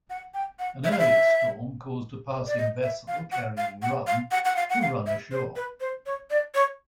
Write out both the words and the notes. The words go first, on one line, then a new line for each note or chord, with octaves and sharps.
An earlier storm caused a passing vessel carrying rum to run ashore.
F#5
G5
F#5
E5
F5
E5
D5
D#5
E5
F5
F#5
F5
F#5
F5
F#5
F#5
F5
F#5
F5
E5
C5
B4
C5
C#5
D5
C#5